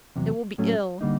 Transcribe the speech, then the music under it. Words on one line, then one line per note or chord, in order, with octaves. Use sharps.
It will be ill.
E2 C3 D#3 F#3
A2 F#3 A3 C#4
D3 G3 A#3 D#4